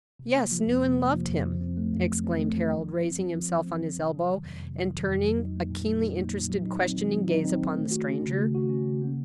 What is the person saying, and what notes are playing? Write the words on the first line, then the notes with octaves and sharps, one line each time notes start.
"Yes; knew and loved him!" exclaimed Harold, raising himself on his elbow, and turning a keenly interested, questioning gaze upon the stranger.
C3
A#3
F3
F2
C3
A#3
F3
F2
F3
C4
A3
F#2
F3
C4
A3
F#2
F3
F#2
C4
F#2
F3
F#2
C4
F#2
C3
F#3
D#3
F2
C3
F#3
D#3
F2
F#3
D#4
A#3
A#2
F#3
D#4
A#3
A#2
F#3
D#4
C4
D#3
F#3
D#4
C4
D#3
A3
F#4
C#4
C#3
A3
F#4
C#4
C#3
A#3